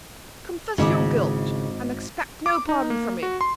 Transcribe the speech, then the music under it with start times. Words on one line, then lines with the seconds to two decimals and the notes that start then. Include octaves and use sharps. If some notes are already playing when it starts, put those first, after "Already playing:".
"Confess your guilt, and expect no pardon from me!"
0.78 G#1 C#3 E4 D#5 D6
2.46 D6
2.69 D#4
2.90 A#3
3.23 F#4
3.41 C6